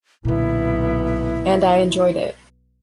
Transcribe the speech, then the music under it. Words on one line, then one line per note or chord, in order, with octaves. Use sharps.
And I enjoyed it.
B1 A#2 D3 B3 E4